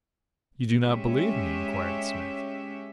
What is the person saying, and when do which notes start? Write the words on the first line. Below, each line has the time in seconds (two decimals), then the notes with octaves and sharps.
"You do not believe me?" inquired Smith.
0.83 G#3 C#4 G4 C#5 E5